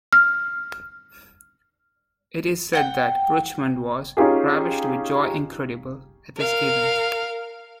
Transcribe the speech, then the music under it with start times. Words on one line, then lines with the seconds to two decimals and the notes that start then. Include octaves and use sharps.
It is said that Richmond was "ravished with joy incredible" at this event.
0.13 F6
2.73 F#5 G5 G6
4.17 C#4 D#4 F4 G4 G#4
6.37 A#4 F5